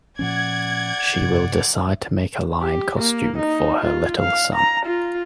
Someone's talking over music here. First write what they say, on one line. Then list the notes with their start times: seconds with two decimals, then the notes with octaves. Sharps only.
She will decide to make a lion costume for her little son.
0.19 A#2 F3 C#4 D5 F#5 G#6
1.21 G2 C3
2.61 G4
2.98 A#3
3.38 D#4
3.82 F4
4.20 F5
4.55 A#5
4.86 F4